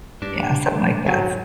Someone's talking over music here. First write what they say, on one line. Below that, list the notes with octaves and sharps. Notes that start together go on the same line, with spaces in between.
Yeah, something like that's
G2 D4
G#2 F#3